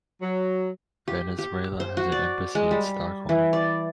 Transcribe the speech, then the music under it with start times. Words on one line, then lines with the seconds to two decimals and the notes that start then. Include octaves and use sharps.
Venezuela has an embassy in Stockholm.
0.22 F#3
1.08 G4
1.38 G4
1.80 C5
1.97 F#4
2.12 D5
2.55 G#3
2.71 G3
3.29 E3
3.53 D5